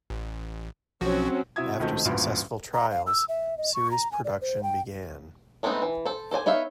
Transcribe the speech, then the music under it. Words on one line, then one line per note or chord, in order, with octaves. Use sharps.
After successful trials, series production began.
A1
B1 F3 F#3 C4 C#4 F#4
C3 E4 F#4 E5 D#6 G#6
C#2 D#3 A3 C4 F#4 G6
A1 D2 G2 A#2
A#5
F5
E6
E5
D#5
C#6
A#5
G#5
D5
C5
G5
G#3 A3 B3 C4 D#4
E3
A4 C5
A4 C5 D5 G#5
B3 D#4 C#5 E5 F5